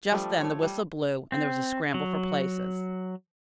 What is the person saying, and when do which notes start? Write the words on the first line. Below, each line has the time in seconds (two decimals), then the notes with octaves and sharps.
Just then the whistle blew, and there was a scramble for places.
0.12 F3 G3 A3 D4
0.41 A3 C#5
0.63 G3
1.32 C4
1.94 F#3